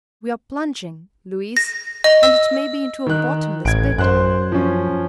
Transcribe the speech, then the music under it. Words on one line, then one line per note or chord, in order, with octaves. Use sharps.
"We're plunging, Louise; and it may be into a bottomless pit."
A#6
D#5
E6
D#3 F#6
A1 G#6 D7
F#2 C5 F#6
F3 C#4